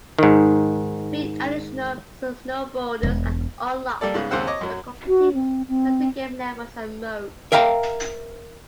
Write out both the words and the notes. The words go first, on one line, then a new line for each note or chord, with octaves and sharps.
Three additional snowboarders are unlocked by completing certain game levels and modes.
G#2 D#3
E1
G3 A#3 A4 D5
G#2 C#3 B3
D#2 C#3 C4 C5 F#5 E6
C#5 D#5 D6
F#2 F#3
F#4
C4
C4
A#4 E5 F5 G5 A#5